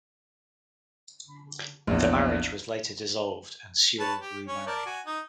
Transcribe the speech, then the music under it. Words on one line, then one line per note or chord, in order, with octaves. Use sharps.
The marriage was later dissolved and Sewell remarried.
A#1 E2
B4 C#5 A5
G4
C#4 C#5
A#4 D5 A5
F#4 G#5
D#4